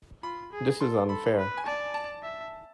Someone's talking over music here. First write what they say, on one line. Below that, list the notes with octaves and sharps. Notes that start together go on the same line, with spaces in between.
This is unfair.
F4 B5
G#4
A4 C6
A4 B5
B4
G#5
D5 A5
A5
E5